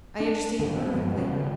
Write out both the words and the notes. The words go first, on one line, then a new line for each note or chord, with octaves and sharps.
I understand you perfectly.
D4
D1 G1 D#2
D#1 B2 C4
G2 F3 G#3 B3
C2 B2 B3 C#4
D#2 C#3